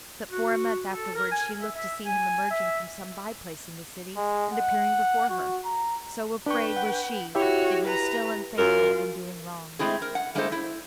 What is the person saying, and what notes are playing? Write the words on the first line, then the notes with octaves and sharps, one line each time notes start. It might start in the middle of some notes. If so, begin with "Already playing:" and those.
But for a month afterwards, she looked to see him emerging from some by-place in the city, and appearing before her; so afraid was she that he was still unfaithful, and doing wrong.
F#4
A4
A#4
G#5
E5
E5
G#5
E5
G#3
F#5
F#4
A#5
D4 B4 G5 C#6
F#5
E4 F#4 G4 C#5 E5
B4 A#5
F#2 F4 A#4
G#3 A3 C4 E4 G#4
A#4
F#5
G3 G#3 A#3 E4 A4 C5
E4